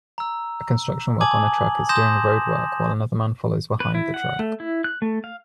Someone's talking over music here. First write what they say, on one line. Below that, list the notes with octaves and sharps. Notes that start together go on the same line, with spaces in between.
A construction worker on a truck is doing roadwork while another man follows behind the truck.
A#5 E6
G#5 A5 D6 D#6 G#6 F#7
C6 D#6 G6 A#6 E7
B4
E4
F#5
A3
E4
F#6
A3
F5